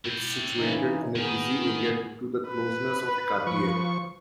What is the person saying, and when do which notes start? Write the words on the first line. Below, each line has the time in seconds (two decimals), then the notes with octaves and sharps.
It's situated in a busy area due to the closeness of Ekati Airport.
0.05 E4 G5
0.55 C#3 E3 D#4
1.16 D#3 B3 G#4
2.48 B4
3.47 F3 C#6